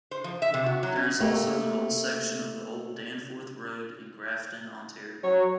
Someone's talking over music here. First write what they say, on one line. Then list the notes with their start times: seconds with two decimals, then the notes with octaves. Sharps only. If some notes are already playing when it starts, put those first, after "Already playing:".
There is also an old section of the old Danforth Road in Grafton, Ontario.
0.11 C5
0.24 F3
0.42 E5
0.54 C3
0.66 F#4
0.83 F#3
0.96 C#4
1.20 A3 A#3 G4
5.24 F#3 C#5